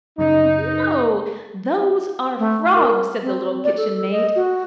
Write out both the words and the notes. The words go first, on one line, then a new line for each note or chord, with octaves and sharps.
"No, those are frogs!" said the little Kitchen-maid.
F#2 C#3 D#4
A3
A#4
C4
D5
A4
D#5
F#4